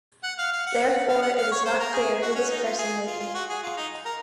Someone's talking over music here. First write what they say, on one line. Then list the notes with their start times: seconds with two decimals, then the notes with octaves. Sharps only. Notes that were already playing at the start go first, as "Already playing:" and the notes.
Therefore, it is not clear who this person may be.
0.23 F#5
0.38 F5
0.52 F5
0.67 F#5
1.09 F5
1.22 F#5
1.37 F5
1.52 C#5
1.65 C5
1.79 A#4
1.93 G#4
2.22 F#4
2.35 C#4
2.50 D#4
2.64 F4
2.78 G#4
3.07 F4
3.20 F4
3.34 F#4
3.49 G#4
3.63 F4
3.77 D#4
4.05 A#4